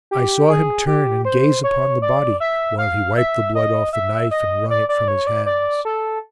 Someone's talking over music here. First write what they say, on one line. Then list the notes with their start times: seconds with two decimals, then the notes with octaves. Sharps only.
I saw him turn and gaze upon the body while he wiped the blood off the knife and wrung it from his hands.
0.11 G4
0.49 G#4
0.87 G4
1.25 C5
1.64 C#5
2.02 D5
2.40 E5
2.78 F5
3.17 E5
3.55 D#5
3.93 E5
4.31 D#5
4.70 D5
4.89 D5
5.08 C#5
5.27 D5
5.46 D5
5.85 A4